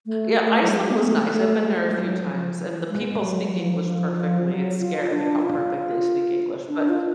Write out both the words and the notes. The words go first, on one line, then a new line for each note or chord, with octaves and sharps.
Yeah, Iceland was nice, I've been there a few times, and the people speak English perfectly. It's scary how perfect they speak English, but
A3
A3
F#3
G#3
B3
A3
A3
A3
G#3
F#3
F3
G#3
F#3
F#3
F3
F3
F3
F#3
F4
D4
F4
D4
F4